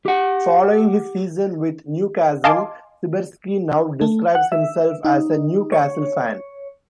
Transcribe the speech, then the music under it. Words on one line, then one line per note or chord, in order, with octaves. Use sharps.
Following his season with Newcastle, Sibierski now describes himself as a Newcastle fan.
G4 F#5
D#5 F5 G#5 A5 C6 D6
A3
F#5
E5
D#4
C#5